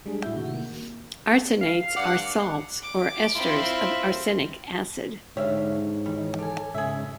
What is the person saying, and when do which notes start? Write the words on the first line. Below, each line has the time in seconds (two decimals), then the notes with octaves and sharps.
Arsenates are salts or esters of arsenic acid.
0.06 G3 G#3 D4 G#4
0.23 A2 E4 F#4 E5 G6
0.36 C3 D#3 F#4
0.54 A#3
1.61 F5
1.97 G2 D5 F#5
2.82 D6
3.35 C4 E4 F4
5.37 G#2 D3 G4 C#5 E5 F5
6.06 D#3 E3 G3
6.39 G4 A4 G#5
6.74 G#2 C#3 G#4 E5